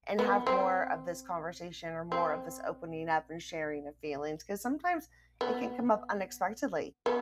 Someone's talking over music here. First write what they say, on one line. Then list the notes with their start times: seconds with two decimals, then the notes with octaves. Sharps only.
and have more of this conversation or more of this opening up and sharing of feelings," 'cause sometimes it can come up unexpectedly
0.19 B3
0.47 C4
2.12 C4
5.41 B3
7.06 B3